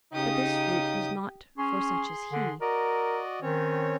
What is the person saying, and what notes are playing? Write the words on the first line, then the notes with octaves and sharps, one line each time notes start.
But this fruit was not for such as he.
C#3 D#4 G4 D#6
C#4 G#4 C6
D3
F#4 A#4 D5 D#5
D#3 C4 C#4 C#5